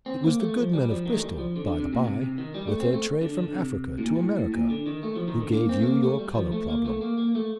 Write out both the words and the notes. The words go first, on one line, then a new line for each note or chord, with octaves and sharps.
It was the good men of Bristol, by the bye, with their trade from Africa to America, who gave you your colour problem.
C4
A#3
A3
F3
G3
F3
D#3
A3
G3
F3
D3
D3
C3
A#2
C3
C3
D#3
G3
A3
C4
A3
D3
D3
C3
A2
A#2
A#2
A2
A2
A#2
D3
D#3
A3
F3
D#3
D3
A#3
C4
A3
A#3
A3
G3
F3
A3
A#3
A3
A#3
A#3
A3